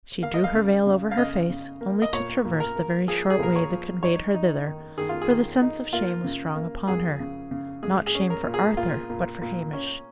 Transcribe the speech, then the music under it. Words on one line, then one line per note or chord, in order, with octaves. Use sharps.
She drew her veil over her face, only to traverse the very short way that conveyed her thither, for the sense of shame was strong upon her; not shame for Arthur, but for Hamish.
A#3 F5
D#5
F5
C#3
C#3
F5
C#3 D#5
C#3
A#3
D#5
A#2 C#5
A#2
A#4
A#3
F3 G#4
G#4
A#2 A#4
C#5
F3
D#4 C#5
D#4
D#3
D#3 G#4
F4
G#4
D#3
D#4
A#3 F4
C#3
A#3
F2 G#4
C#3
C#3
G#3 G#4
G#4
C#4
A#4
A#2
G#4
A#2 F4
A#2
A#2
C#4